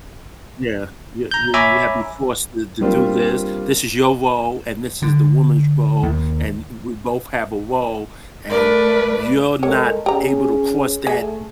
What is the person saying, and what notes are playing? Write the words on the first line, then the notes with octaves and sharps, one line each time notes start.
Yeah. You you you have to be forced to to do this. "This is your role, and this is the woman's role, and w we both have a role and you're not able to cross that th
A#5 G6
C#5 E5 G#5 A#5 B5 D6
G3 A#3 C4 D4 F4
D3
D#2
A3 A#4 B4 D5
G#3 G4 A4 A#4 C#5
C#4 G4 G#4 A#5
A3 G#4